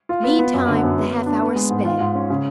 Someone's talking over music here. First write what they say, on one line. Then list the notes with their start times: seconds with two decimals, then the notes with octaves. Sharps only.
Meantime, the half-hour sped.
0.09 F4
0.24 B3
0.39 B3
0.54 F#2
0.68 D3
0.83 F#2
0.97 B3
1.12 B3
1.26 D4
1.42 B3
1.56 G#3
1.70 G#2
1.85 F4
2.00 G#2
2.15 C#4
2.30 C#3